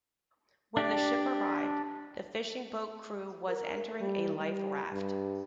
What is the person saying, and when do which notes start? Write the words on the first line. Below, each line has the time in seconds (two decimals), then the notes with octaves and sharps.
When the ship arrived, the fishing boat crew was entering a life raft.
0.77 D4 G4 D5
3.48 A#4
4.01 G3
4.40 G3
4.92 G2